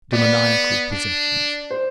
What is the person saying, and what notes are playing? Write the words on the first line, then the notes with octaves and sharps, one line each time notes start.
Demoniacal possessions.
B3 D5
D4
C5